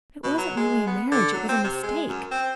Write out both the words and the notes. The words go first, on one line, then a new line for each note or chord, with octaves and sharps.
It wasn't really a marriage; it was a mistake.
B2
F#3
G#3
B3
D3
F#3
C4
C3
G#3
F#2
C4